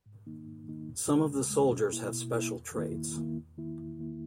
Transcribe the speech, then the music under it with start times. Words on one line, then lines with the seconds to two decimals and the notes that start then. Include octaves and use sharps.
Some of the soldiers have special traits.
0.06 G#2
0.26 D#3 A#3 D#4
0.47 G#2
0.68 D#3 A#3 D#4
0.89 D#2
1.10 C#3 G#3
1.30 D#2
1.50 C#3 G#3
1.71 B2
1.92 A#3 E4
2.12 B2
2.33 A#3 E4
2.54 E2
2.75 D#3 A#3 E4
2.95 E2
3.16 D#3 A#3 E4
3.37 E2
3.57 D#3 A#3 E4
3.78 E2
3.99 D#3 A#3 E4